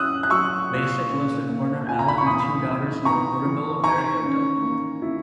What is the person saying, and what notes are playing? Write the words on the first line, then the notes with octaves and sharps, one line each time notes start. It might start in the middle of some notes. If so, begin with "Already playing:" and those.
Bacik lives with partner Alan and two daughters in the Portobello area of Dublin.
Already playing: F#3 C#4 E4 D#6 E6 F#6
F#6
F#3 C#6 E6
A#2
C#4
A#3
A#2 G#5
A#5
B5
C#6
E3 B5 D#6
D#4
B3 A#5 C#6
E3
D#3 A#5 C#6
C#4
A#3
E4